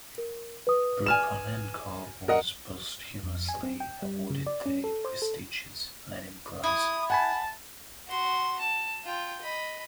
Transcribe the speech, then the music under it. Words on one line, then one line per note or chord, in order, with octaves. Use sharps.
Brukhonenko was posthumously awarded the prestigious Lenin Prize.
A#4
B4 D#6
G#5 F6 E7
A#4 D#5 F#5
F2
G#5
C4
G5
G3
C#3
D5
C#4
A4
C5
A4
E4 D#6
F#5 G#5 A5 B5
F#4 C6
A5
F4 G5
D#5 B5